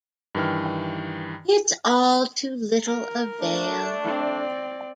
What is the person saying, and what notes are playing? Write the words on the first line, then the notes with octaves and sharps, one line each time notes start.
It's all to little avail.
G2 D#3 E3 G5 F6
A#4
A3 D4
C4 D5